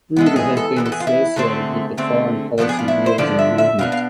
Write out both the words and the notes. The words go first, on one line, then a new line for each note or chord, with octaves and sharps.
Ruger has been associated with the foreign policy realism movement.
E3 G#3 B3
A4
G#4
A4
E3 G#3 B3
A4
G#4
F4
E4
D3 A3 C4 G#4
D3 A3 C4
D3 F3 B3 D4 A4
G#4
F4
E4
C5
D3 F3 B3 D4 D5
E5
E5
B2 B3 D4 F5
F5